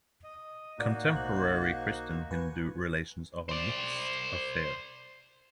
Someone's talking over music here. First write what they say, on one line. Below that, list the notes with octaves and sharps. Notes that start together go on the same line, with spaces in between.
Contemporary Christian-Hindu relations are a mixed affair.
D#5
A2 A#3 D#4 F#4 D5
B1 C5 F#6
B4 G#5 C#6
C5 D5